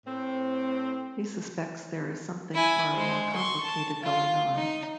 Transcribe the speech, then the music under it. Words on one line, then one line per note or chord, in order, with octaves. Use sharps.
He suspects there is something far more complicated going on.
A2 C4
E4 G#5
G#3 C5
C6 C#6
A5
F4
D#4